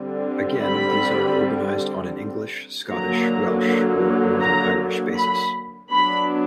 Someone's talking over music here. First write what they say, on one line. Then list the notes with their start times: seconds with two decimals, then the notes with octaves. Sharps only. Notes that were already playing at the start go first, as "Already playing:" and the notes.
Again, these are organised on an English, Scottish, Welsh or Northern Irish basis.
Already playing: D3 G3 C4
0.62 B5
2.88 D3 F#3 A#3 A#5
4.40 A#5
5.16 B5
5.91 F#3 B3 D4 B5